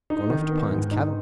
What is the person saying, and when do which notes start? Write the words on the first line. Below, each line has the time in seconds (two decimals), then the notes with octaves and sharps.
Gone off to Pine's cabin!
0.10 D#4
0.30 D#3
0.51 B3
0.71 G#2
0.91 D#4